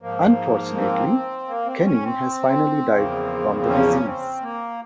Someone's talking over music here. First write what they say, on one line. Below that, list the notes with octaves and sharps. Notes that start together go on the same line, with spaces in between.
Unfortunately, Kenny has finally died from the disease.
G#2 F3 A#3
C4
A#3
C4
C4
C#4
C4
E2 C#3 F3 A#3
C#4
C4
A#3